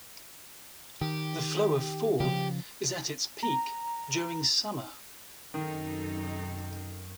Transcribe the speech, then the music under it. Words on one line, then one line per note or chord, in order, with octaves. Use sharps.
The flow of fall is at its peak during summer.
D#3 G4
C#3 F3 G4
A#5
F#2 C3 D#3 D#4 A4